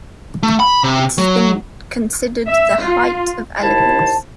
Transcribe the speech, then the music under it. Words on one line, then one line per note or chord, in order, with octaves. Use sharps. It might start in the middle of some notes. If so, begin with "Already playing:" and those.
It has been considered the height of elegance.
A3
B5
C3
F#3
E5
F4
D#2 E4 C5 A5